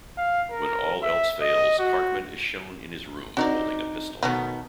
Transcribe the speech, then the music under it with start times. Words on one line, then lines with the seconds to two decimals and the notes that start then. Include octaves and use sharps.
When all else fails, Cartman is shown in his room holding a pistol.
0.17 F5
0.51 A#4
1.02 E5
1.41 D#5
1.79 F#4
3.37 C4 D4 D#4 F#4 A#4 D5
4.23 B2 D#3 F#3 A3 B3 D#4